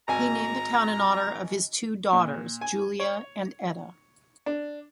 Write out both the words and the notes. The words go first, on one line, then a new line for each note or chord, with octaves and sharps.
He named the town in honor of his two daughters, Julia and Etta.
G#1 G#5 A#5
A#2
G#5
C#5
D4